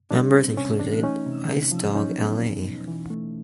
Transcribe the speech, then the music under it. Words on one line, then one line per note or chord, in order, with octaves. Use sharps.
Members included Ice Dog, L. A.
G3 D4
C4
C3 C#4
E3 D4
A3 C#4 D#4
C3
C3
F3
F#3 C#4 D#4
B3
E2
B2
E3
A3